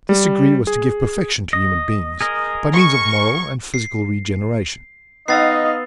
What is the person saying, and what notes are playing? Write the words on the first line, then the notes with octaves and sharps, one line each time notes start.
This degree was to give perfection to human beings, by means of moral and physical regeneration.
G3
G#4
D#5
G#4 A#4 D#5
C#6
C7
B3 D#4 D#5 F5 E6 A6 C7